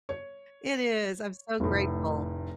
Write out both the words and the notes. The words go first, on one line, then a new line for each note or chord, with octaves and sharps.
It is, I'm so grateful.
C#5
F1 A2